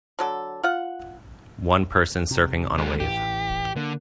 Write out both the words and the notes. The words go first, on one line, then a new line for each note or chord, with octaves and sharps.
One person surfing on a wave.
D3 F#3 A4
F4 F#5
C3
D#2 G#3
A1 A2 E3 G4
D3 A#3